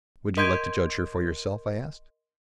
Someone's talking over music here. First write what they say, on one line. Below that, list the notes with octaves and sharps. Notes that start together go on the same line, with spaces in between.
"Would you like to judge for yourself?" I asked.
A#4 D#5 C6 G6 G#6 D7